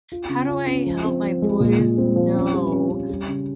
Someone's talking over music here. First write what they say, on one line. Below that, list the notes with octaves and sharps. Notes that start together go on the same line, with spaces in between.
how do I help my boys know
F4
C#3
F4
C#4
F3
C4
F3
G#3
A#2
A#2
C4
F3
C#4
G3
C#4
C#4
G3
C#3